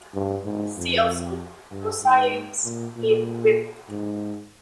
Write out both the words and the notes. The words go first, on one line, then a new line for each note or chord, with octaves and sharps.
See also: Gaussian beam width.
G2
G#2
F2
G2
G#2
A#2
A#2
G#2